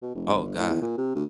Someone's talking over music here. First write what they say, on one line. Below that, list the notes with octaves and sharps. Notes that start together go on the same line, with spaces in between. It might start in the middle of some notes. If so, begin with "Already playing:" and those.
Oh god.
B2
F1
G1
A2
E2
A#2
C3
D2